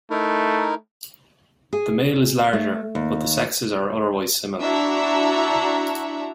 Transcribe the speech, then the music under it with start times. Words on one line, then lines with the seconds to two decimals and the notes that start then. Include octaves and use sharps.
The male is larger, but the sexes are otherwise similar.
0.10 A3 D#4 E4 A#4
1.73 G#4
2.53 A3
2.95 D#2
4.61 D4 E4 F#4 E5 A5 A#5